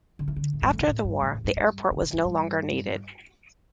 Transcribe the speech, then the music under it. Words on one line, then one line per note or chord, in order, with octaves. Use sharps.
After the war, the airport was no longer needed.
D3
E3
D3
A2
G2
A2
C3
A2
G2
A2
E2
G2
G2
D3
C3
G2
G2